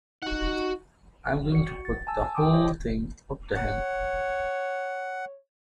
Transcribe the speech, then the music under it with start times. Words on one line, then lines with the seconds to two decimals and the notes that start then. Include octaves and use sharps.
I'm going to put the whole thing up to him.
0.23 D#4 F#4 F#5
1.52 F#4 C#7
1.85 A6
2.07 G#5 A5 E6
2.35 G4 G5 C6 D6 D#6
2.53 C5 C#5 D#5
3.55 C#5 F#5